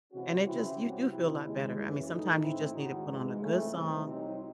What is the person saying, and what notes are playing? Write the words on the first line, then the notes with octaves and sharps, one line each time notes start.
And it just you do feel lot better, I mean, sometimes you just need to put on a good song
C3 E3 G#3 C#4 F#4
C#3 E3 C4 E4
C2 C3 F#3 C4 F#4
C3 E3 C4 E4
D#2 C#3 E3 G#3
F#2 C#3 E3
A2 E3 A3 D#4
A2 E3 C4 E4
D#2 C#3 G#3 D#4 F#4
G#2 E3 G#3
C#2 C#3 E3 A3 C4
C2 C3 E3
C2 C3 F#3 C4 D#4